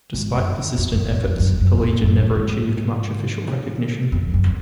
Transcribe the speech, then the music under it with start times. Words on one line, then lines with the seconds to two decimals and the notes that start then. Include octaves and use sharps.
Despite persistent efforts, the Legion never achieved much official recognition.
0.14 G#2
0.35 F#2
0.78 F2
0.93 F#2
1.09 F#2
1.24 F2
1.40 F#2
1.61 F#2
1.82 A#2
2.03 F#2
2.35 G#2
4.12 F2
4.34 F#2